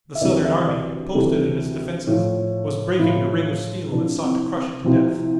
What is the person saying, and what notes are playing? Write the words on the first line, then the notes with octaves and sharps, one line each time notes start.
The Southern army, posted in its defenses, was breaking the ring of steel that sought to crush it to death.
E5
D2 C3 E3 G3 D5
E5
D5
D2 C3 E3 G3 A4
A2 F3
A2 F3 E4
C2 C3 F3 D4
C4
C4
C2 C3 F3 C4